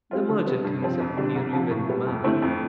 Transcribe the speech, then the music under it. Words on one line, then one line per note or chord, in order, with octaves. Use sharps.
The merchant himself nearly went mad.
G3 C4 F4
D3
G3 B3
G2
F3 C4 F4
F2
D3 G3 D4
C2
C3 F3
A2
G3 B3
F2
D3 A3 C4 E4
F2